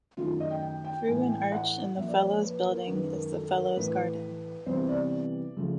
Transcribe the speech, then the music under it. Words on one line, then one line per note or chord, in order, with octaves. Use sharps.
Through an arch in the Fellows' Building is the Fellows' Garden.
F#2 D#3 F#3 A3 F4
D#5
G5
G5
G5
A2 E3 A3 G#5
G5
F#5
A#2 F3 A#3 E5
D5
C#5
B4
A#4
F#2 D#3 G#3 B4
A#4
A4
A#4
A2 E3 A3 B4
C3 E3 G3 B3 C5
D5
C#3 F3 A3